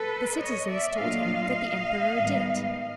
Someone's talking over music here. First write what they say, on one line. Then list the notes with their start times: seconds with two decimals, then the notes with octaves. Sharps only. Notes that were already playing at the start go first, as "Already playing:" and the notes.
The citizens told him that the emperor did.
Already playing: A4 B4
0.38 C#5 D#5
0.69 D5 E5
0.98 A#2 F#3 A3 D4 F4 D#5 F5
2.19 G#2 D#3 G3 B3